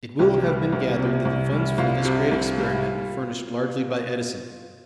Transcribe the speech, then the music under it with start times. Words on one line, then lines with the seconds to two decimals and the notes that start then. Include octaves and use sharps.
It will have been gathered that the funds for this great experiment were furnished largely by Edison.
0.19 C2 G4
0.46 G3
0.72 C2
0.99 C3
1.25 C2
1.52 G3
1.78 C2 F4
2.05 C3
2.32 C2
2.57 G3